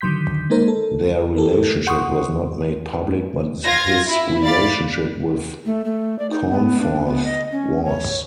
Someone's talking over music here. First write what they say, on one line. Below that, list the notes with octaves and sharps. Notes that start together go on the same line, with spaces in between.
Their relationship was not made public but his relationship with Cornforth was.
D3 D#3 F#3 C6 G6 B6
G#3 A#3 D#4 A#4 C5
A4
G4 A4 A#4
F#5 C6 C#6 D#6
F4 G#6 A#6
E4
D5 F5 B5 A6
A3
A3
D5
D#4
B3
D4
B3
D#5
C#4
C#5